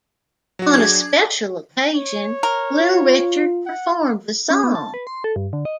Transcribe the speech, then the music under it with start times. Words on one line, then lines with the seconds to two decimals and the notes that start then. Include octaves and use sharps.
On a special occasion, Little Richard performed the song.
0.59 F#3 F#4
0.74 D4 G#4 G#6
1.94 C#5
2.43 A#4
2.81 F4
3.66 F#5
4.50 C#4
4.64 B3
4.75 A5
4.94 B4
5.07 C6
5.24 A4
5.36 G2
5.53 D3
5.65 D#5